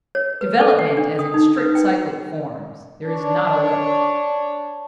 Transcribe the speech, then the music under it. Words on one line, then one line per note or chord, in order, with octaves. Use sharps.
Development, as in strict cyclic forms, there is not a little.
C#5
B4
A4
F#5
D4
D#6
D#4
B4
G5
D4 C#5